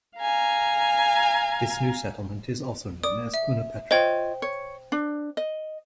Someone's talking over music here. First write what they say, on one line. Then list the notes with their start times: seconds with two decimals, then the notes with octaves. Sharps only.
This new settlement is also known as Kounopetra.
0.19 F5 G#5 A#5
3.03 D5 D#6
3.34 E5
3.91 F4 C5 C#5 D#5 G5
4.42 C#5
4.92 D4
5.37 D#5